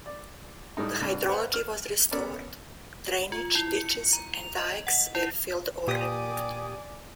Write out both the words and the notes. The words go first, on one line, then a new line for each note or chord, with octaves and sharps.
The hydrology was restored; drainage ditches and dikes were filled or removed.
D5
A2 G3 G#3 D#4
C2 G2
B4 C5 F#5
F6
B3 C#4 A4 A#4 D5
F4
E4
C#7
A#5
F7
D#5
F#5
E4
A#2 G4 D5 G#5 D6 D#6